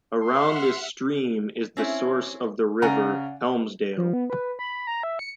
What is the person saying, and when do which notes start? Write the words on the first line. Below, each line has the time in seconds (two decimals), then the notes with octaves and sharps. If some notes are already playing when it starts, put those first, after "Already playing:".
Around this stream is the Source of the River Helmsdale.
0.23 E5 F#5 C6 F6
1.77 C4 C#4 E4
2.82 C#3 D5 F#5 G#5 A#5
3.97 F3
4.13 B3
4.30 B4
4.59 B5
4.87 A#5
5.03 E5
5.19 C#7